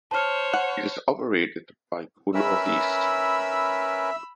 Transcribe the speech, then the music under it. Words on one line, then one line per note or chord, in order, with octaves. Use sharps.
It is operated by Go North East.
C5 C#5 A5 F6
F#5
C#4 A#4 B4 E5 B5 E6